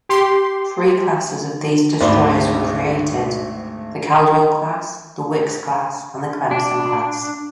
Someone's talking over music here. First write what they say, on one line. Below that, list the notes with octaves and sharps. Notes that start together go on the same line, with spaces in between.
Three classes of these Destroyers were created, the Caldwell-Class, the Wickes-Class, and the Clemson-Class.
G4 C6
G#1 D2 G#2 C5 D5 B5
D4